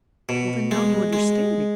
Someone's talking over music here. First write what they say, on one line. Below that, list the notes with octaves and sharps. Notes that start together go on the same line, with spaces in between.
Well then, now you understand me.
B2
G#3
G#3